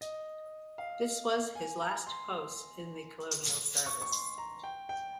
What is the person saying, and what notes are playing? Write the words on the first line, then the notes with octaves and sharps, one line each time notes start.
This was his last post in the Colonial Service.
D#5
F5
G#5
A#5
C6
C#6
C#6
C6
A#5
G5
G5